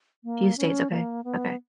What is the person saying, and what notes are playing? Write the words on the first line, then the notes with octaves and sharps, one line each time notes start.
Few states, okay, okay.
A#3
C#4
A#3
B3